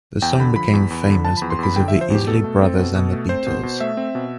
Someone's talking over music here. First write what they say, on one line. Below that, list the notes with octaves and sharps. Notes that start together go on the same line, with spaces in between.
The song became famous because of The Isley Brothers and The Beatles.
E2 G5
D3 B5
F3 B5
E2
E2
D3
F3 A5
E2 B5
C6
E2 B5
D3 G5
F3 E5
C5
E2 G4
B2 A4
A3
C4
B2
B2
A3
C4 C5
B2
B2
A3 E5
C4
B2